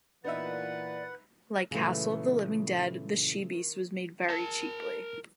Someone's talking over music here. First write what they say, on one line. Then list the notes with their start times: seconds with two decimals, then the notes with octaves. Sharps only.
Like "Castle of the Living Dead", "The She Beast" was made very cheaply.
0.24 A#2 E3 B3 D#4 B4 D5 E5 F#5
1.71 A#2 C#3 E3 F#3 A3
3.52 D#3
4.30 A#4 A5